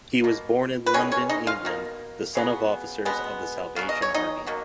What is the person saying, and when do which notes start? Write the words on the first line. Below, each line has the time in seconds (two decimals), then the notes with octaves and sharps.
He was born in London, England, the son of officers of The Salvation Army.
0.24 B2 A#3
0.86 B4
0.94 D#3 G#3 B3 C#4 C#5
1.12 C#4 C#5
1.29 D#4 D#5
1.47 F4 F5
1.65 B2 A#3
2.35 C#3 F#3 B3
3.05 B2 G#3 B3
3.76 C#3 F#3 B3 F5
3.89 D#5
4.02 C#5
4.14 D#4 D#5
4.47 B2 F#3 A#3